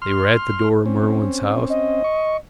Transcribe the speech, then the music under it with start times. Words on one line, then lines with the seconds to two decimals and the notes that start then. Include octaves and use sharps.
They were at the door of Merwin's house.
0.02 C6 F6
0.86 C4 C#4
1.69 D#5
2.04 C#6